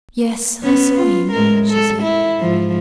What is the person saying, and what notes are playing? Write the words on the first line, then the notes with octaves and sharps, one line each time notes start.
"Yes, I saw him," she said.
B3 C#4
F4
A2 G#3 A#4
A4
E4
G#2 F3